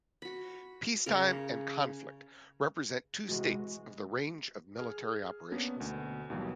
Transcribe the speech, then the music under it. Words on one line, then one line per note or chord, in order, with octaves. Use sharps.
Peacetime and conflict represent two states of the range of military operations.
F#4 B5
C#3 A#4
C3 E3 G#3 F#4
G#4 F6
A#3 B3 C#4 D4
D2 B2
D#2 B2 E3 F#3 G3